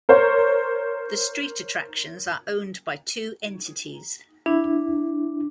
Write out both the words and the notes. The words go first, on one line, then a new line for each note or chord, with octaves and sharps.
The street attractions are owned by two entities.
A#4 C5 C#5
D4 E4